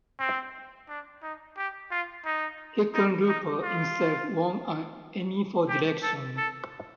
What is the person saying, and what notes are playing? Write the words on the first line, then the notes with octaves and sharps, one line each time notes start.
Hickenlooper himself won an Emmy for direction.
C4
D4
D#4
G4
F4
D#4
D#4
D#4
F4
G4
A4
A4